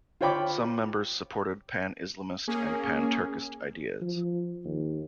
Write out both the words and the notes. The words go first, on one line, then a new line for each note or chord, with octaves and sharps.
Some members supported Pan-Islamist and Pan-Turkist ideas.
F4 C5 C#5 G5 B5 D6
A#3 C#4 G#4
F3
D#2